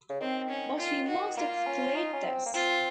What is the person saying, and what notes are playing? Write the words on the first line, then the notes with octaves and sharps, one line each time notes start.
But we must exclude this.
C#3
D#3 C4
C#4
F4
F#4
A#3 F4
C#4
D#4
C#4
C4
A#3
C4 F4